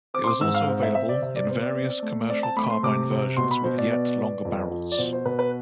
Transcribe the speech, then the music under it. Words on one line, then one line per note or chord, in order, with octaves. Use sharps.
It was also available in various commercial carbine versions with yet longer barrels.
C4 D6
C6
D6
G#2 E6
F5
C4
E5
C4 E5
D5
C3 E5
D5
B3 C5
D5
C4
A3
C4 D5
A5
A3 B5
C6
C3 D6
C3
B2 C6
B5
B2 C5
D5
B3
B3
F2
F3
D5
B2 C5
C5
B2 B4
B4